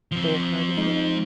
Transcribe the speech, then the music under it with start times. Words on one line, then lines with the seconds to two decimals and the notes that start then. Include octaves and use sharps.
"Or heard of him?"
0.12 F3 C4
0.77 G#3 D#4